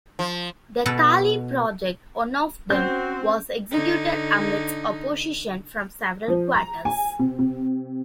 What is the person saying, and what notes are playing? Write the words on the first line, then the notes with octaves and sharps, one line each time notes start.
The Kali project, one of them, was executed amidst opposition from several quarters.
F3
B2 A4 B4 A5
C4 C#4 F#4 G6
D3 D#4
F3
A#5
G#5
C3
C3